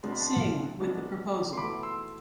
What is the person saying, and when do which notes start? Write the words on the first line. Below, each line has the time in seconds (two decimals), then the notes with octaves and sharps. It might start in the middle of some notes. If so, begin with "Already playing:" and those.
Singh with the proposal.
0.03 C2 B2 G#3 B3 D4 C6
0.11 B5
0.20 A5 C6
0.80 C2 B2 G#3 B3 D4
1.53 C6
1.57 E2 B2 A3 E4 B5 D6
1.83 C6 E6